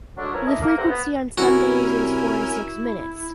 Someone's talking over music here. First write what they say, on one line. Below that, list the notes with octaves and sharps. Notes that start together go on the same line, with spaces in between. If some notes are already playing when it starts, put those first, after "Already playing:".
The frequency on Sundays is four to six minutes.
D3 F#3 G#3 A3 C#4 D4
F3 B3 C#4 E4 A#4 C#5
A3 D4 E4 D#5
A#3
G2 A3 C4 C5 F#5 A#5
B3
C2 C#4 E4 F#4 A#4 G#5